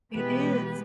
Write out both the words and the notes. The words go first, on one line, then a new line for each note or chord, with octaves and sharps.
It is.
B2 E3 G#3 B3 G4 B4